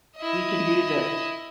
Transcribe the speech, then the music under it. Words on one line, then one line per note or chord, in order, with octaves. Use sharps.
We can do this.
E4 D#5